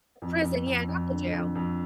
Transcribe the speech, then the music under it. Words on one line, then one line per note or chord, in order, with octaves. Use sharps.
The prison, yeah, not the jail.
F2
F2
F2
F2
D3
F2
F2